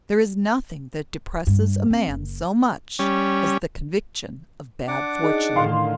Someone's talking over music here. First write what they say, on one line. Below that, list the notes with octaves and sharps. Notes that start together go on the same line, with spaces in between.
There is nothing that depresses a man so much as the conviction of bad fortune.
G2
C4
F#1
G3 C#4
D4 F#5 D6
D#4 G#4 D#5
A2 D3 D#3 F5 C6